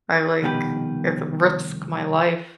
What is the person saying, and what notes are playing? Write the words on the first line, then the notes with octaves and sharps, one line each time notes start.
I like it's risk my life.
C2 F2 B2 D#3 G4 B4